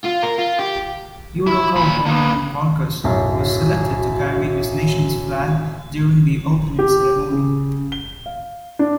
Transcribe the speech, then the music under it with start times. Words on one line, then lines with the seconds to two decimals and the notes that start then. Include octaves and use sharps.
Judoka Juan Vargas was selected to carry his nation's flag during the opening ceremony.
0.05 F4
0.23 A#4
0.39 F4
0.59 G4
1.47 E4
1.76 A#2 B5
2.06 A#3 B3
3.04 D1 B1 F#2 F#4
6.79 G4
7.32 C#3
7.92 G7
8.26 F5
8.79 D4